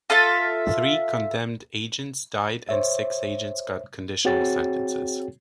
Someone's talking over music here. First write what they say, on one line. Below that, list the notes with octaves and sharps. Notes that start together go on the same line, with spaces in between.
Three condemned agents died and six agents got conditional sentences.
F4 A4 E5 F5
C5 C#5 E5
C4 F#4 G#4 C#5 G5 A6